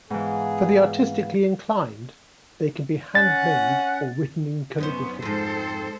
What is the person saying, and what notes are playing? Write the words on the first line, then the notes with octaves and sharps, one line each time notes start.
For the artistically inclined, they can be handmade or written in calligraphy.
G#2 E3 B3 G#4 F5
C#4 F#5 A6
F#2 B3 C#4 D#4 C5
F2 G#2 G#3 A4 C5